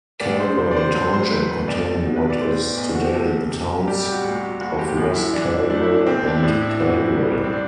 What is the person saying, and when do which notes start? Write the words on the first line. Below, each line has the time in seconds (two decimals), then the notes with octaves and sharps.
Caldwell Township contained what is today the towns of West Caldwell and Caldwell.
0.21 D2 D5
0.40 C5
0.58 C3 C5
0.71 D5
0.76 C5
0.95 F#3 C5
1.13 C5
1.31 A3 B4
1.68 B1 D5
2.04 B2
2.16 B4
2.30 D5
2.41 A3 C5
2.65 D5
2.78 B1
2.95 F#4
3.04 G4
3.14 D2 A4
3.51 C3
3.87 G3 G4
4.03 G4
4.12 F#4
4.24 D2
4.36 F#4
4.61 F#1 F#4
4.79 G4
4.97 F#2 F#4
5.15 E4
5.33 E3 D4
5.70 A3 D4
5.83 E4
5.93 D4
6.07 B1 C4
6.25 D4
6.36 E4
6.43 A2 D4
6.61 E4
6.80 E3 F#4
7.17 G3
7.44 C4
7.53 D4